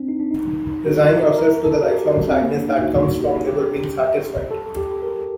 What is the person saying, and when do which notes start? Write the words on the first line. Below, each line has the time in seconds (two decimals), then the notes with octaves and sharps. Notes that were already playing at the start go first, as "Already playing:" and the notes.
Resign yourself to the lifelong sadness that comes from never being satisfied.
Already playing: C4 D4
0.09 D#4
0.20 D4
0.31 D#4
0.86 F#4
1.00 A4
1.12 A#4
1.25 A#4
1.38 A#4
1.64 A4
1.83 F#4
1.91 G4
2.16 D4
2.29 C4
2.42 A#3
2.55 D4
2.68 D#4
2.81 F#4
2.95 F#4
3.20 G4
3.47 G4
4.51 A4
4.77 G4
5.02 A#4